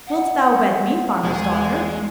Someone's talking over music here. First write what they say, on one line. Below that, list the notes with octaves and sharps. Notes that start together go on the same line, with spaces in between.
'Wilt thou wed me, farmer's daughter?'
F#5
E1 G#3